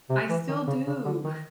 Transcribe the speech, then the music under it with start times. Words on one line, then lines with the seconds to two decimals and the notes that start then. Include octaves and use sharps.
I still do.
0.10 C3
0.30 E3
0.48 D#3
0.67 C#3
0.87 C#3
1.05 D3
1.24 D#3